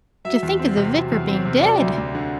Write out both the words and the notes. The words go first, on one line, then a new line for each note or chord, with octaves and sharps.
To think of the Vicar being dead!
F#3 E5
E2
C4
C3
F#3
E2
C4
C3
F#3 D5
D2
D2
D3